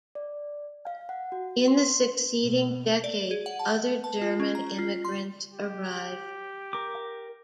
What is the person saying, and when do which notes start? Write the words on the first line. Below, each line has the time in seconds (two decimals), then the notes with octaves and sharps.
In the succeeding decades, other German immigrants arrived.
0.15 D5
0.87 F5
1.09 F#5
1.32 F#4
1.68 C6
2.43 B2
3.04 D5
3.31 G#4
3.46 F#5
3.59 A5
4.04 A5
4.22 F4
4.40 C#4
4.55 A#5
4.79 F4
5.05 C6
5.51 G4
6.73 A#4 D6